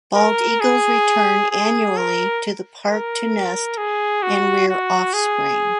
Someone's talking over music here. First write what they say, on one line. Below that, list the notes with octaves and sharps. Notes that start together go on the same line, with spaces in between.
Bald eagles return annually to the park to nest and rear offspring.
A#4
G#4
G#4
A#4
A#4
G#4
F#4
F#4
G#4